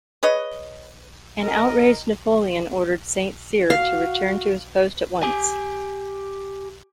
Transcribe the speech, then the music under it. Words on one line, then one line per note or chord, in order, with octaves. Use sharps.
An outraged Napoleon ordered Saint Cyr to return to his post at once.
G#4 B4 C#5 D#5
A#4 D#5
F#4 F5
G4 G#5